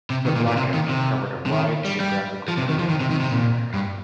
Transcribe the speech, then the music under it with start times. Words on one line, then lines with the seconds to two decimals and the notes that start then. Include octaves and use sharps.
The blackout covered a wide geographical area of North America.
0.10 C3
0.26 D#3
0.36 A#2
0.48 A#2
0.57 C3
0.74 D#3
0.89 C3
1.46 C3
1.52 D#3
1.85 G3
2.00 G3
2.48 F3
2.57 C3
2.69 D#3
2.79 F3
2.89 D#3
3.00 C3
3.10 D#3
3.21 C3
3.32 A#2
3.74 G2